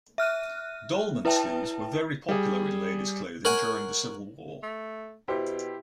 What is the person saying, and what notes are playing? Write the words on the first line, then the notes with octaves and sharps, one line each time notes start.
Dolman sleeves were very popular in ladies clothing during the Civil War.
E5 F6 F#6 D#7
E4 B4 E5 G5 A5
G3 G#4
A#4 C#5 F#5 G#5
A3
B2 E4 G4 C5